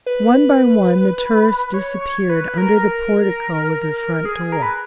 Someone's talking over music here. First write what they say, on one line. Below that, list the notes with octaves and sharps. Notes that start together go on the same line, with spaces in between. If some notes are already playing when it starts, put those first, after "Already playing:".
One by one the tourists disappeared under the portico of the front door.
B4
C#5
C#5
B4
A#4
G#4
A#4
B4